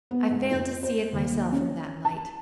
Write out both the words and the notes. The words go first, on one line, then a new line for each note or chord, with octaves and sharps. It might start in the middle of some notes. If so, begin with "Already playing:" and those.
I failed to see it myself in that light.
B3
G#2
F2
C5
D#2
C#4
A5